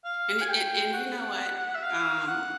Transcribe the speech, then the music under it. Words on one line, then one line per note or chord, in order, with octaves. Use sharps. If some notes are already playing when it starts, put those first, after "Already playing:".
And a and and you know what? Um,
F5
G#5
G5
F#5
E5
F5
F#5